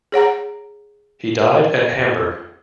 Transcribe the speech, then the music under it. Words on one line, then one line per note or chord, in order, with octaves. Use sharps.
He died at Hamburg.
G#4 C#5 F#5 A#5